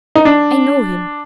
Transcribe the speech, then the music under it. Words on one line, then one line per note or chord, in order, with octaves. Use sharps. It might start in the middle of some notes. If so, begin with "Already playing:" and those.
"I know him."
D#4
D4